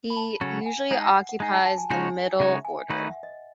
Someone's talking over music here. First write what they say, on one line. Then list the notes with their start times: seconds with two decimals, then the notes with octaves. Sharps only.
He usually occupies the middle order.
0.10 B5
0.16 A5
0.41 C#3 F#3 C#4 F#4 A4 G#5
0.61 F#5
0.66 G#5
0.91 G#3 D#4 G#4 F#5
1.16 F#5
1.29 F#5
1.40 G#3 D#4 G#4 G#5
1.54 A5
1.66 A5
1.78 G#5
1.90 C#3 G#3 D#4 F#4 C#5 G#5
2.40 C#3 G#3 D#4 F#4 C#5 E5
2.65 G#5
2.90 D#3 A3 D#4 F#4 B4 F#5
3.07 E5
3.23 D#5